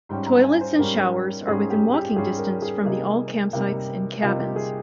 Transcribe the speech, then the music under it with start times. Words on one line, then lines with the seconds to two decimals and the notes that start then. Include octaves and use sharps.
Toilets and showers are within walking distance from the all campsites and cabins.
0.09 G#2 G3 C#4 G5
0.27 A#5
0.44 G#5
0.61 C5
0.78 G#2 G3 C#4 A#4
1.48 G#2 G3 C#4 G#4
1.70 G4
1.93 G4
2.16 G#2 G3 C#4 G#4
2.38 A#4
2.62 G#4
2.85 C3 G3 A#3 D#4 G#4
3.53 C3 G3 A#3 D#4
4.22 C3 G3 A#3 D#4 F4
4.40 G4
4.56 G#4